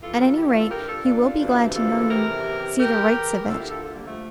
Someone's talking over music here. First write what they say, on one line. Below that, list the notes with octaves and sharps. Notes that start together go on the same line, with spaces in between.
At any rate he will be glad to know you see the rights of it.'
F2 E3 F4 A4
G4 A#4
F4 A4
E4 G4
D4 F4
F4 A4
G2 D3 G4 A#4
F4 A4
D4 F4
D2 C3 E3
F4 A4
E2 C3 E3 G4 A#4
E2 E3 G4 A#4
A#4
D2 D3 F4 A4
E4 G4
F4 A4
F4 A4
G3 A#3
F3 A3